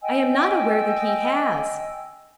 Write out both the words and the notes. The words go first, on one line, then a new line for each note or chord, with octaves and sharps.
"I am not aware that he has."
D#5 G5 G#5 E6